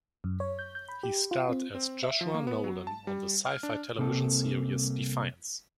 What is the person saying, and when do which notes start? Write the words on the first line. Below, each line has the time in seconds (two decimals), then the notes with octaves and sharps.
He starred as Joshua Nolan on the Syfy television series "Defiance".
0.24 F#2
0.40 C#5
0.59 G6
0.75 G6
0.89 B5
1.03 G4
1.31 F4
1.49 C4
1.75 C4
2.03 E5
2.21 F3
2.34 A#3
2.47 B3
2.64 F#3
2.87 A5
3.07 G3
3.46 F6
3.63 D4
3.98 C2 C3 A#3 C4 F#4 A4